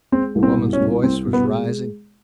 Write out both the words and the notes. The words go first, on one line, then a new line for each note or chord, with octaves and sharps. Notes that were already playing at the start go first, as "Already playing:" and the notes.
The woman's voice was rising.
G#3 C4
C2
C4
B2
C#4
C2
C2 C4
B2
B3
G#3